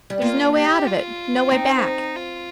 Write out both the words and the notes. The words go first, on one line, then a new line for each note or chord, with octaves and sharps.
There's no way out of it, no way back.
G3
A#3 F4
G4
F4
C4 D#4
F4